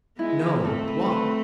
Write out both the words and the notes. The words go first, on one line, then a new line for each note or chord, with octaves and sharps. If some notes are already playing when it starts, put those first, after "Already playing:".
No. Walk.
G#3 B3 E4
F4
A3 C4 A4
B4
B4